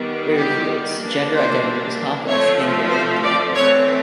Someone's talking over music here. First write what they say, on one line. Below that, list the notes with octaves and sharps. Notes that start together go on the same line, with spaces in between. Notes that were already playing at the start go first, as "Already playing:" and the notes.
Rivera's gender identity was complex and varied throughout her life.
Already playing: D#3 G3 B3
G4
E3 G3 A#3 D4
C5
F3 A3 C4 C#5
C5
D5
E3 A3 C4 C#5